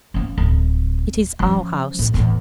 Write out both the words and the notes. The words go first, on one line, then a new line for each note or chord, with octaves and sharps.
It is our House.
A#3 C#4
D1
F3 C#4
A2
E2 A2